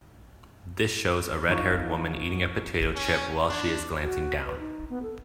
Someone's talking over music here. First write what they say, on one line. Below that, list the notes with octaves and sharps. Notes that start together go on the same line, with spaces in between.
This shows a redhaired woman eating a potato chip while she is glancing down.
F3 D#4 C#6
C#4
D4
F#4
B4
D#4
B3
A4